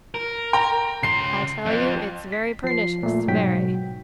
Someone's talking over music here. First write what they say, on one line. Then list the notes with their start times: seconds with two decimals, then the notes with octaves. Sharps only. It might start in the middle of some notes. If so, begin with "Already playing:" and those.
I tell you it's very pernicious--very!
0.14 A#4
0.53 G5 A#5
1.03 C#3 C6 C7
1.66 F2
2.32 B6
2.64 F3 C7
3.03 A#2 A3
3.27 G#2 B2 F#3 F#4 G5 B6